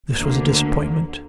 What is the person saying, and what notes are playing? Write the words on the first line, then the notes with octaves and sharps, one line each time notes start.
This was a disappointment.
D2 D3 A#3